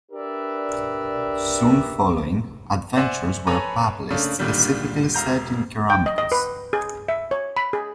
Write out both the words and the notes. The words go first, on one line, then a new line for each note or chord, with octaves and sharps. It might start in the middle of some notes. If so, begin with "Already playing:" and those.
Soon following, adventures were published specifically set in Karameikos.
D4 G4 A#4 B4 D5 E5
C5 D5 E5 F#5 G#5
A4 B4 C#5 G#5 A#5 B5
C#3 A3 A#3 D4
G#1 A#2 D3 D#3 G3
E1 F5 A#5 G6
G5
D#5
D#5
B4
G#4
E5
C#5
B5
G#4